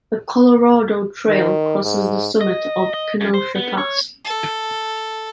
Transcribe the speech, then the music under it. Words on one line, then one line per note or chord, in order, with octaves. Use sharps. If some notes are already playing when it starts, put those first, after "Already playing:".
The Colorado Trail crosses the summit of Kenosha Pass.
D#3
G#2
D#5
D#5
F#2
C5
B3
C#5
A4